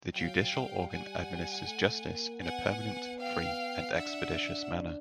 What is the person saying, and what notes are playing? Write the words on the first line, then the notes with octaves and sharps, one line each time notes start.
The Judicial Organ administers justice in a permanent, free, and expeditious manner.
F#3 F5 G5
G3
G3 F#5 G#5
A3
A#3
B3 F#5 G#5
F5 G5
D4 E5 F#5